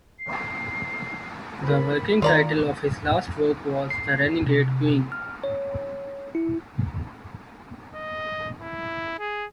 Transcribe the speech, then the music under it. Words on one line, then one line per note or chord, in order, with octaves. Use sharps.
The working title of his last work was "The Renegade Queen".
C7
A#4 C5 B5
D#3 F4 A#4 D5 G5 A#5
C7
C3
F6
C#5
E4
D#5
E4
G#4